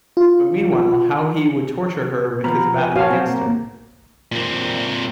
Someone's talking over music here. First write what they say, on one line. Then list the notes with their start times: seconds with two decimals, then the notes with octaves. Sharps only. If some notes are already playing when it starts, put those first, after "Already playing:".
But meanwhile, how he would torture her with his battle against her.
0.17 F4
2.44 B2 F3 B3 A#5 B5 F6
2.77 B4 G#5
2.96 F#4 C#5 F5 G#5 A5
3.11 F#3 C4 C5
3.27 A#3
4.32 A#2 C4